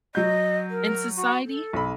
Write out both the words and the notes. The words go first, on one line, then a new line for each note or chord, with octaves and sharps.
in society.
F#3 D#5 G6
A#4
F#4
A4
B1 B5